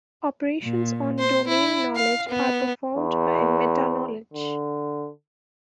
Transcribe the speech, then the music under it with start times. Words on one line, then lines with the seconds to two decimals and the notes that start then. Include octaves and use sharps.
Operations on domain knowledge are performed by meta-knowledge.
0.62 A#2
1.19 C5
1.48 E4
1.97 F5
2.28 B3
2.97 E2
4.33 D3